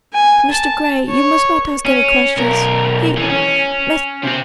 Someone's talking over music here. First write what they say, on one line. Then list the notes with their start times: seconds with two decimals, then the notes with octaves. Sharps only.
Mr. Grey, you must not ask any questions. He,--Mr.
0.13 G#5
0.51 A5
1.08 C#5
1.85 C#4
2.37 B1 A#4
3.18 E3 C#4
3.30 C#4
4.24 C3 C4